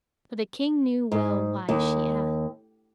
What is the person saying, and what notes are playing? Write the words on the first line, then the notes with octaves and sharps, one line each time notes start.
But the King knew well why she asked.
G#2
D#2